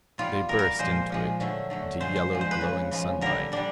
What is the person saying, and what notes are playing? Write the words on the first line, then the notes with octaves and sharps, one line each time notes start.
They burst into it--into yellow, glowing sunlight.
B2 G3 F4
B2 G3 A#4
A#4
A#2 F3 G#3 C5
A#2 F3 G#3
D3 F#3 A3
D3 F#3 A3
D3 F3 G#3 C5
C5
D3 F3 G#3
C5
B4
C#3 F3 G#3
C#3 F3 G#3
D3 G3 A#4
D3 G3 D4